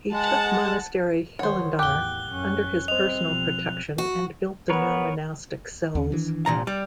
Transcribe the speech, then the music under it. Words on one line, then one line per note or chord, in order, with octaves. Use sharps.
He took monastery Hilandar under his personal protection and built the new monastic cells.
G#3 F#5 A5
D#3 G3 C5 C#5 F#5
E2 A2 G4 F#6 G7
F#2 C#4
G3 C4 C5 D#5 F7
B2 F3
F#4
B3 A#4 B4 C#5
D#2 C#4
D#3 E3 D4
C2 A#2 A#5
G3